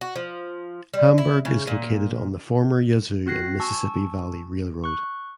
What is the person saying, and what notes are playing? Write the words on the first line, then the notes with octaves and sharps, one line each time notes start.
Hamburg is located on the former Yazoo and Mississippi Valley Railroad.
F#4
F3
G3
E4
C#3
A#2
C4 F#4 F#6 A#6 C7
G#5 A5 C#6 E6
C#6 F#6